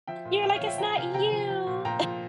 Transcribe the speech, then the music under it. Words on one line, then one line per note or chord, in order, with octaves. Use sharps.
you're like, "It's not you."
F3 E5 G5
A#2
A#2 E5 G5
C#5 F5
F3
E5 G5
F3 G5 A#5
C3 F5 G#5
C3 G5 A#5
F3
F3
A#2
A#2 G5 A#5
F3